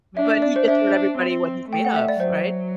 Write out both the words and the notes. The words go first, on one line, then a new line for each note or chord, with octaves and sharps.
But, he just showed everybody what he's made of, right?
D4 E5
E5
D5
C5
D4 E5
C4
A3 G5
F#5
E5
D5
F#3 C5